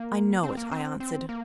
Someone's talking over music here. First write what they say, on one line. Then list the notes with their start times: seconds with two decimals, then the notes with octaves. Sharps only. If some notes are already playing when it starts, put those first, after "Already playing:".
'I know it,' I answered.
Already playing: A#3
0.43 C4
0.57 A#3
0.71 C4
1.00 C4
1.29 A#3